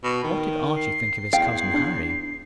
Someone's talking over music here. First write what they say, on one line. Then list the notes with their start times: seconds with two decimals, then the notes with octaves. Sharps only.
What did Archie think of his cousin Harry?
0.04 B2
0.24 D#3
0.77 C7
1.33 E2 F5 G5
1.74 D4